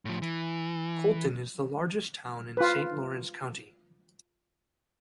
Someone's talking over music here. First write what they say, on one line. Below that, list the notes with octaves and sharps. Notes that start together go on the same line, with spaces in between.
Colton is the largest town in Saint Lawrence County.
A2 F3
E3
F4 B4